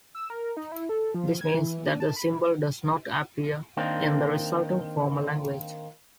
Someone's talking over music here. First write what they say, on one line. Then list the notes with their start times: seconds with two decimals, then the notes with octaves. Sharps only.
This means that the symbol does not appear in the resulting formal language.
0.15 E6
0.30 A#4
0.57 D#4
0.72 E4
0.89 A4
1.14 F3
1.41 G#6
1.54 E3
1.86 D4
2.00 A5
2.16 B5
3.77 D#3 A#3 C4 D4